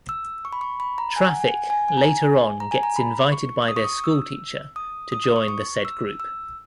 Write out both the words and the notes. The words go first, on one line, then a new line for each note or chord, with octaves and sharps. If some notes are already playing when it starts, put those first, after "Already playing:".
Traffic later on gets invited by their school teacher to join the said group.
E6
C#6
B5
C#6
B5
A#5
G#5
F#5
G#5
G#5
G#5
G#5
A#5
G#5
A#5
G#5
A#5
B5
C#6
D#6
C#6
D#6
E6
D#6
D#6
D#6
C#6
C#6
E6
E6